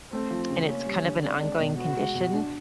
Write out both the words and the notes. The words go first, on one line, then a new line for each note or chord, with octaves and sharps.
and it's kind of an ongoing condition,
A3 C4
F3
C#3
A#3 C#4
G3
D3
C4 D4
G#3
B2
B3 F#4
G#3
B2
D4